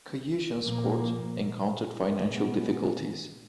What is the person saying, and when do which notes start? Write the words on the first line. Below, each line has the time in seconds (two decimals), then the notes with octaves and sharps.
Khayishan's court encountered financial difficulties.
0.63 A#2 F3 A#3
2.25 A#2 G#3 B3